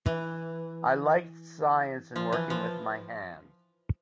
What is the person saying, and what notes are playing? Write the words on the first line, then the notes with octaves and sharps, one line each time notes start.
I liked science and working with my hands.
E3
F3
E3
F3